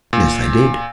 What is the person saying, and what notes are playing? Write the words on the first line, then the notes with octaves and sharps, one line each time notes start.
"Yes, I did."
A#2